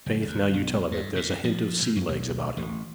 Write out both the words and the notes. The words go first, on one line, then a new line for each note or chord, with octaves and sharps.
'Faith, now you tell of it, there's a hint of sea legs about him.
F#1
D#2
B1
G2
A#2
F3
A2
F#2
B1
A1